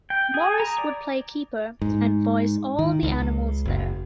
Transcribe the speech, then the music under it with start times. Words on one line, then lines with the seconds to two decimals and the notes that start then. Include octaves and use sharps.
Morris would play keeper and voice all the animals there.
0.10 G5
0.34 G#4
0.60 A#5
0.78 D5
1.82 G#2
2.79 D#3
3.03 C#2
3.65 F#1